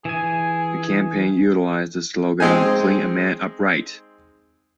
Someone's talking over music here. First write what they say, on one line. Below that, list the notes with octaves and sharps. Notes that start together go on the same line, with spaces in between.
The campaign utilized the slogan "Clean a Man Up Right".
E3 G#4 G#5
G#3 C4 D#4 G#5